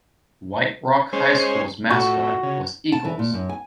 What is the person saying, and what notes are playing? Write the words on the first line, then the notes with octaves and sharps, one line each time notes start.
White Rock High School's mascot was Eagles.
G#3 C#4 C5
A2 F#4
C#3
A5
E3
A#2
F#2
G#5